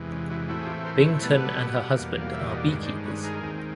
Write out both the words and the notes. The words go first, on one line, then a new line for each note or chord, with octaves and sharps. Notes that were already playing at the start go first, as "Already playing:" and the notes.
Byington and her husband are beekeepers.
Already playing: E2 C3 E3 G#3
C#4
E4 F#4
A2 E3 A3 C4 E4 F#4
G#4
F4 G4
A#4 C5
B4 C#5
B2 G3 B3 A4 B4
E2 B2 G3 A#3
F5
E5
D#5
D5
G2 D#3 G#3 B4 C#5
C5 D5
B4 C#5
G#4 A#4
D#2 D#3 G#3 C4